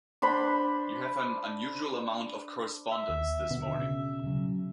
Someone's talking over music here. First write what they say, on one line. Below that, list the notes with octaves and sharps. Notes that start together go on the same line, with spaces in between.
You have an unusual amount of correspondence this morning.
D4 C5 B5
E5
D#2
B2 D3
C#3
C#3 F#3